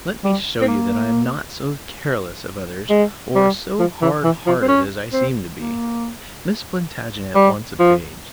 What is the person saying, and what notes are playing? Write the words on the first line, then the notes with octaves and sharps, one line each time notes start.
Let me show you that I am not so careless of others or so hard-hearted as I seem to be. Miss Plantagenet wants a page.
G3
C4
A#3
G#3
G3
F3
E3
E3
F3
C4
C#4
C4
A#3
G3
F3